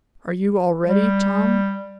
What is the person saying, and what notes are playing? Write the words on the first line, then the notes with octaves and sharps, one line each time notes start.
"Are you all ready, Tom?"
G3